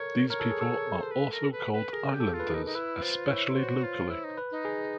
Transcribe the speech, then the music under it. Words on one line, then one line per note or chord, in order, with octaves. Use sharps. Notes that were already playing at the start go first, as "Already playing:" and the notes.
These people are also called "Islanders", especially locally.
Already playing: A4 A#4 C#5
A#4 C#5
A4
G#4
A4
C5
B4
A#4
B4
B4
G#4 A#4
G4
A4
F4
B4
A#4
D#4
D#4
E4 B4
F4 C5
E4 C#5
F#4 C5
F4
E4
D#4
B4
D#4
G#4